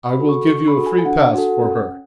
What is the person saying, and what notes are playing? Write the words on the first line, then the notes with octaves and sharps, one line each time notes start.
I will give you a free pass for her.
B5
F#4 A4
C#6
D4 C#6
B5
F#4 A4
G#5
G#5
D4 F#5
F#4 A4
C#4